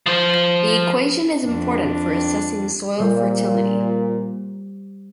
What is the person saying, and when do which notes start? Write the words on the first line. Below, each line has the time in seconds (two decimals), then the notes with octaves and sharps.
The equation is important for assessing soil fertility.
0.06 F3 C5
1.44 F2 D4
3.00 A#2 G3 C5